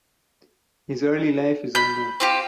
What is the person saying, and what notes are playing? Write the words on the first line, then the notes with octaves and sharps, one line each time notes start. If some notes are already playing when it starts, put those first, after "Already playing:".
Her early life is unknown.
B5 G6
C4 F4 G4